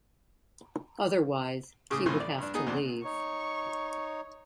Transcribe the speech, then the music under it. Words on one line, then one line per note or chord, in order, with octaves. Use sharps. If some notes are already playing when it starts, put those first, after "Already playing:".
Otherwise, he would have to leave.
A2 C#3 G#4 D6 D#6
C2 A2 C3 E3 F3 C6
D5
G2 D4
B3 D#4 G#4
E2 B3 C4 D4
D#4 C#5 C#6